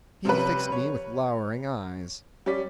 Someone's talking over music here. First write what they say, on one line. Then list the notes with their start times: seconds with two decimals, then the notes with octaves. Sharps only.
He fixed me with lowering eyes.
0.25 C3 F3 G3 C#4 B4
0.72 C#5
2.46 G3 C#4 D5 B6